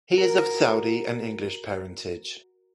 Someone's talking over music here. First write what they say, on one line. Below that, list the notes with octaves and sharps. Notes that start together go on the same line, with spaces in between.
He is of Saudi and English parentage.
F#4 A#4